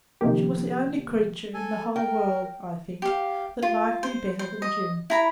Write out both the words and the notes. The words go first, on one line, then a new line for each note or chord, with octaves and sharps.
She was the only creature in the whole world, I think, that liked me better than Jim.
C3 D#3 F3 A#3 G4
A4 G#5
A#4 G5
G4 F5
F4
C5
C5
D#5
E4 A#5 B5